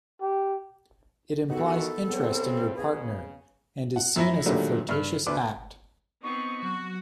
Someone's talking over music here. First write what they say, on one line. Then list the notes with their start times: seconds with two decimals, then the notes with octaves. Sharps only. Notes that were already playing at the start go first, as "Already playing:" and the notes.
It implies interest in your partner, and is seen as a flirtatious act.
0.21 G4
1.50 D#3 B3 D#4 F#4 G4 A4
2.10 G2 E3 B3 C4 G#4 C#5
2.76 C#3 G#4 B4
3.96 F#5
4.16 F#2 E4 A#6
4.46 A#2 D3 D#3 F#3 G3 A3
4.89 G2 F6
5.26 D2 D4 B4 D6
6.23 B3 C4 D#4 C#6
6.62 F#3 F#4